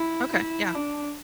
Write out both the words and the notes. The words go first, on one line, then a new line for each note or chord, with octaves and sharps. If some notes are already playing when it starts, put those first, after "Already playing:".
Okay. Yeah.
Already playing: E4
E4
D4